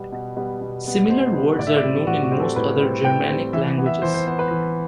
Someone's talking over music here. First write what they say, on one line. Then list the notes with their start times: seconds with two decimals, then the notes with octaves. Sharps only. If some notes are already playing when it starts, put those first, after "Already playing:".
Similar words are known in most other Germanic languages.
Already playing: B2 G3 B3
0.12 B2
0.37 G3 B3
0.61 B2
0.85 G3 B3
1.10 B2 C5
1.34 G3 B3
1.58 A2 D5
1.67 E5
1.76 D5
1.83 G3 C4
2.07 A2 F#4
2.23 F#4
2.31 G3 C4
2.40 A4
2.56 A2 B4
2.80 G3 C4
3.05 A2 G5
3.29 G3 C4
3.53 E3 E5
3.78 B3
3.86 E5
4.02 E3 C5
4.14 C5
4.27 B3 C5
4.39 B4
4.51 E3